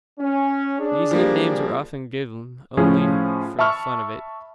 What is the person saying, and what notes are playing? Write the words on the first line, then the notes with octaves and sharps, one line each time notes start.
These nicknames were often given only for the fun of it.
C#4
D4 G#4
F3 G3 A#3
A2 F3 C#4 G#4
E5 A5 B5 C#6 F6